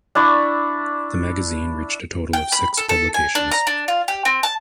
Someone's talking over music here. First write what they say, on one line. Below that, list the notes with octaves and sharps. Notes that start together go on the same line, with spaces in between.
The magazine reached a total of six publications.
D4 E4 D5 C#6
G5
B5
A4
A4
G#5
D4
A#5
D4
F4
G4
C4
A5